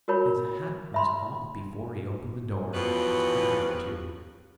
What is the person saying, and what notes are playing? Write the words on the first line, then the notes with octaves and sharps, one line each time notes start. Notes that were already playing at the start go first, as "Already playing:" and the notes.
His hat was off, before he opened the door; his comforter too.
F#4 A#4 C#5 B5
E5 B5 C6
E2 B2 F3 F#3 G4 B4